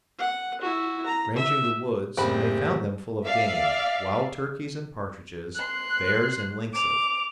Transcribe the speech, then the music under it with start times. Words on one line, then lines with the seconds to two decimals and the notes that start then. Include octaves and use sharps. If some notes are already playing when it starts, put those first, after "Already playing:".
Ranging the woods, they found them full of game, wild turkeys and partridges, bears and lynxes.
0.19 F#5
0.61 E4 F#4
1.06 A#5
1.36 E5
2.17 F#1 A2 G3 C4 G4 B5
3.26 D5 E5 F5
5.55 C6 F#6
6.73 D6 F7